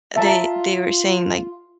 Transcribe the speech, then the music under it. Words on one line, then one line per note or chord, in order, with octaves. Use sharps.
they they were saying, like,
F4 E5 A5 A#5